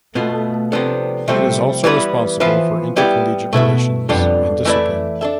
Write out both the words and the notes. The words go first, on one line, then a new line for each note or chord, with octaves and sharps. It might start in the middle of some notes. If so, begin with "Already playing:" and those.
It is also responsible for intercollege-relations and discipline.
B2 A3 B3 F4
C3 F3 B3 D4 A4
C3 F3 G3 A3 C4 G4
E3 G3 B3 E4 B4
E3 F3 B3 F4 B4 E5
G3 B3 E4 G4 D5
B2 A3 E4 B4 E5
F2 G3 B3 D4 F4 A4
E3 A3 E4 B4 D5
D4 A4 E5